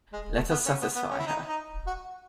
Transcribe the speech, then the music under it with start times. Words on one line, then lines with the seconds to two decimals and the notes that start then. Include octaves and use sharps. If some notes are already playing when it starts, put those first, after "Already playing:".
Let us satisfy her.
0.13 G#3
0.36 A3
0.51 B3
0.66 C#4
0.81 B3
0.96 B3
1.11 C#4
1.19 E4
1.27 D#4
1.49 D#4
1.87 F#4